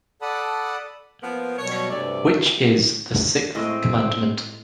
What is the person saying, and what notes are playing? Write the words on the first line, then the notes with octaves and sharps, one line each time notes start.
Which is the sixth commandment?
A4 D5 F#5 A5 B5 D#6
F3 A#3 B3
B2 F#3 G3 C#5
D2 G2 C3 A3 D5
A2 G#3 C4 D#5